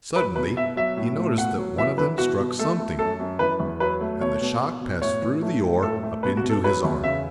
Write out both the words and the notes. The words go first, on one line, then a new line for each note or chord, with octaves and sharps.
Suddenly he noticed that one of them struck something, and the shock passed through the oar up into his arm.
F#3 B4
B2 B4
B2 E5
F#3 E5
A2
A3
B2 F#5
F#3
E3 E5
E3 B4
B2 F#4
B2
A3 A4
A3
F#2 A4
F#2
E3 B4
E2
F#3 B4
A3
B2 C#5
B2
B2
B2
A2 C#5
E3
A3
A3
A2 A4
A3
B2 B4
F#4
B2
A4
F#3 B4
E2
C#3 E5